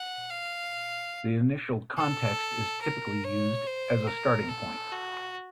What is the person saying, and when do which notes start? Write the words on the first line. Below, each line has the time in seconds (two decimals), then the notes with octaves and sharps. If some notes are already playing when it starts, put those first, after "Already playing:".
The initial context is typically used as a starting point.
Already playing: F#5
0.30 F5
1.97 A4
2.82 A#4
3.24 C#5
3.66 C5
4.07 A#4
4.49 A4
4.91 F#4